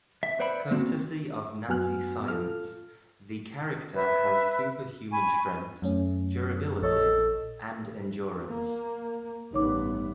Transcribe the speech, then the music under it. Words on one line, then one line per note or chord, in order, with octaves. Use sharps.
Courtesy of Nazi science, the character has superhuman strength, durability, and endurance.
E5
B4 C5 D5 E5 F#5 B5
A#3 C4 F#4
F#2 B3 F#4 G#5 F6 F#6
F4 A4 F6
B4 E5
G#5 B5 C#6
F#2 A3 C#4
A#1 A4 C#5 D#5
A#3
A1 G2 B3 D#4 C#5 D6